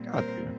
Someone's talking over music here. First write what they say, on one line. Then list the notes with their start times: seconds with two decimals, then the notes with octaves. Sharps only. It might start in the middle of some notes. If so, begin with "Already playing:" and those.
Got you.
Already playing: A#2 G3 C4
0.12 A#4 C5